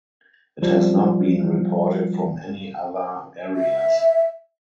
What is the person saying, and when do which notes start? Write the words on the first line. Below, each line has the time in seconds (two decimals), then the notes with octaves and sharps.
It has not been reported from any other areas.
0.62 F3 G3
3.55 E5